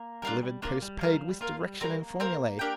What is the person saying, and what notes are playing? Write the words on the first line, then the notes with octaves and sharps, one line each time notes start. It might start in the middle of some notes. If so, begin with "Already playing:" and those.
Delivered postpaid with Direction and Formulae.
Already playing: A#3
G3 D4 F4 A#4
G3
A#3 D4 F4 A#4
G3
G3 F4 A#4 F5
F3
G3
A#3 F4 A#4 F5
G3
G3 C4 A#4 F5
A#3
C4 A#4 F5
D4 G4 A#4 G5